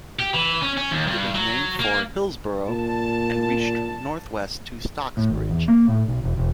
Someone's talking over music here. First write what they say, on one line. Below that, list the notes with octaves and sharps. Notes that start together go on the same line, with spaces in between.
It was named for Hillsborough and reached north west to Stocksbridge.
G4
E3
C#4
C#4
D#2
G2
F#3
A#3
A#2 A5
A2
G#1
E2
A#3
A2
B1
E1
E1